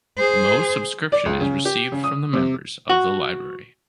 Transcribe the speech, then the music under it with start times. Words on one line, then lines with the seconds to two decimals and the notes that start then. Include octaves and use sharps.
Mo subscription is received from the members of the library.
0.18 G#4 C5
1.12 D5
1.26 C#2
1.41 C#3
1.65 G4
1.92 C#3
2.04 D#6
2.33 C3
2.90 F#4